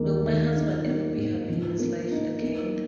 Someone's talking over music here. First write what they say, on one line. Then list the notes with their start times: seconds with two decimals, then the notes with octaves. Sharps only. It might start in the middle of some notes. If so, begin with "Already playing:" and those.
Will my husband ever be happy in his life again?
Already playing: D#2 G#3 A#3
0.25 D#3
0.55 D#4
0.86 A#3
1.17 G#2
1.49 F3
1.79 A#3
2.11 D#4
2.42 A#3